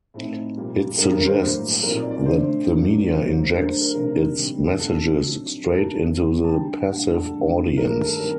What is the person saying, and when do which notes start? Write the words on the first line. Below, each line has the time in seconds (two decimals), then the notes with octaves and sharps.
It suggests that the media injects its messages straight into the passive audience.
0.14 A2 A3 C4 D#4
0.56 A#2 G3 A#3
0.98 G2 D#3 G3 D4 A#4
1.13 A#4
1.26 C5
1.40 A2 F#3 A#3
1.83 A#2 F#3 C4 D#4 A#4
1.97 D5
2.11 D5
2.26 D3 A3 D4 C5
2.68 F#2 F#3 A#3 D4
3.10 F#2 F#3 A#3 D#4 C5
3.32 C5
3.52 D3 A3 D4 A#4
3.67 C5
3.81 A#4
3.95 C3 D#3 A3 D4 A#4
4.37 A2 G3 C4 D#4
4.80 A#2 A3 D4 A4
5.23 D3 F#3 C4 D#4
5.65 D3 A3 D#4 A#4
5.79 A5
6.08 D#3 A3 C4 D#4
6.44 A5
6.50 D3 G3 D4 G5
6.92 A2 G3 A#3 D4 F#5
7.14 A4
7.34 D3 A3 D4
7.77 G2 D#3 A3 A#4
7.91 A#4
8.05 A4
8.19 D#3 G3 C4 A#4